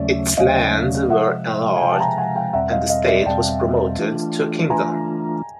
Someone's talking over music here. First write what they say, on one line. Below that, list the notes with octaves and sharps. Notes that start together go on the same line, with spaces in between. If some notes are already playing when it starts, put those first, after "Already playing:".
Its lands were enlarged and the state was promoted to a kingdom.
Already playing: D#2 C#3 F#3 A3 C#4 D5 E5
D#2 C#3 F#3 A3 C#4 D#5 F5
C3 F3 G#3 E5 F#5
G#5
C3 F3 G#3 F5 G5
A5
G#5 A#5
F#5 G#5
F5 G5
E2 B2 G3 C4 E5 F#5
D#5 F5
D#5 F5
D5 E5
E2 B2 G3 C4 G5 A5
E3 A3 D4 F4
E3 A3 D4 F4 G#5 A#5